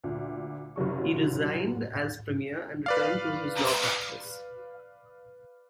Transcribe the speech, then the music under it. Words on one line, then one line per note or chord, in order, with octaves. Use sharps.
He resigned as premier and returned to his law practice.
D2 A#2
F#1 C3 F#3 C#6
B4 D5 F5